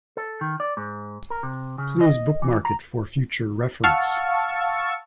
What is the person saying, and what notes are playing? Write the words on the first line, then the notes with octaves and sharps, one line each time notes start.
Please bookmark it for future reference.
A4
D#3
D5
G#2
A#4
C3
C#3
D#5
E3
A#5
F5 F#5 A5 C#6 E6 F6